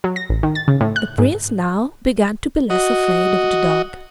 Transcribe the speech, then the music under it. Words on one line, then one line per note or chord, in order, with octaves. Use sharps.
The Prince now began to be less afraid of the Dog.
F#3
A#6
A1
D#3
A6
C#3
A2
F#6
G#2
F#4 D#5